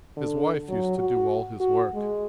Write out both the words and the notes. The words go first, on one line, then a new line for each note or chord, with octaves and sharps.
His wife used to do all his work.
D3
F#3
F#4
F#4
G#3